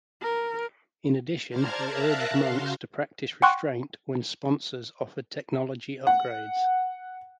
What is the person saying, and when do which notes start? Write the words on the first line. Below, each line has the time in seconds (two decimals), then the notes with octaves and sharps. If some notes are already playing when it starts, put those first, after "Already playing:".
In addition he urged monks to practise restraint when sponsors offer technology upgrades.
0.23 A#4
1.49 C5 D5 A5 A#5 F6 G#6
1.83 A#4 E5 F5 A5 A#5 F#6
2.37 C#3 F#4 F5 C6
3.42 F#5 G5 C6 C#6 F#6
6.07 F#5